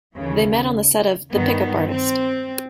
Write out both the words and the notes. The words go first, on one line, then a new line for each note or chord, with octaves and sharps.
They met on the set of "The Pick-up Artist".
D#2 C#3 E3
G2 D#3 B3
C4